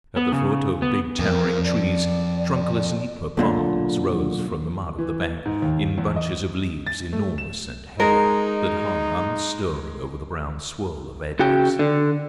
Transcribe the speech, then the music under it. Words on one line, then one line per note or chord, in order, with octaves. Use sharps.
At the foot of big, towering trees, trunkless nipa palms rose from the mud of the bank, in bunches of leaves enormous and heavy, that hung unstirring over the brown swirl of eddies.
B3
C#3
B3
F2 A#4
D5
B1 A#2 D3
E3
G#2
D#2
E2
D#5
A6
A3
E7
G#3 D#4 A#4
C#3 F#4 G5
D3